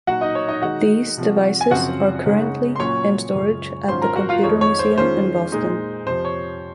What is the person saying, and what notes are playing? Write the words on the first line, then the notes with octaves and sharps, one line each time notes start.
These devices are currently in storage at the Computer Museum in Boston.
A#2 F#3 A#3 D#4 F#4 F#5
D#4 D#5
C#5
D#4 D#5
D#3 G#3 D#4 F#4 F#5
C3 F3 C4
G#5
F#2 C#3 F3 C4 F4 F#4 F#5
C#3 G#3 D#4
C6
A#2 F#3 C#4 F4 C#5 C#6
F#2 C#3 G#3 C#4 F4
G#2 D#3 F#3 C#4 F4 C5 C6
A#4 A#5
F#4 F#5
F4 F5
F2 D#3 G#3 D#4 C#5
C#5
C5
D#3 G#3 C#4 F4 C5
A#2 G#3 D#4
F2 C3 F3 C5
C#5